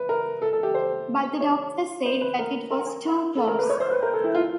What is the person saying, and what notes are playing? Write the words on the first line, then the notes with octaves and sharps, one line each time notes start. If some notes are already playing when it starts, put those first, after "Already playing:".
But the doctors said that it was too close.
Already playing: B4
A#4
A4
A4
G4
C5
C#5
C5
B4
A#4
A#4
A4
A#4
B4
C#5
C5
B4
A#4
A4
E4
F4